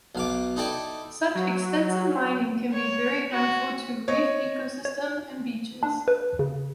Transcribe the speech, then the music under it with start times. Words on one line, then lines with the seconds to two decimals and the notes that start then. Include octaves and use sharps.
Such extensive mining can be very harmful to reef ecosystems and beaches.
0.15 B1 F5 D6
0.56 D#4 E4 A4 D5 G5
1.35 F#3
2.72 C#5
3.31 F#4
4.08 C#5 D#5
4.85 C#5
5.83 D4
6.08 B4
6.39 C#3